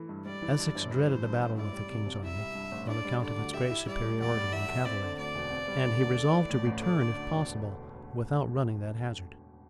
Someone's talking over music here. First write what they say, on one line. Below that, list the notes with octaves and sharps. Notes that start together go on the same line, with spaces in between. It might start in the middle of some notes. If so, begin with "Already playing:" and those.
Essex dreaded a battle with the king's army, on account of its great superiority in cavalry; and he resolved to return, if possible, without running that hazard.
Already playing: E3 A3 E4
G2
G3 D5
E3
G2
G1
G3 C5
E3
G2
A1
E4 D5
G3
C3
C2
E4 E5
G3
G2
A1
D4 D5
G3
D3 D5
D2
G4 E5
E4
G3 D5
A2
E2 D5
G3
E3 E5
E2
C4 D5
D3
D2 D5
E1
C4
G3
D3
D2
A3
E3
A2
A1
A3 D5
D3
D2
E1